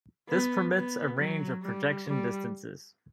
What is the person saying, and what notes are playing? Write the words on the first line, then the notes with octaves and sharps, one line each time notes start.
This permits a range of projection distances.
B3
B3
F#3
G3
G3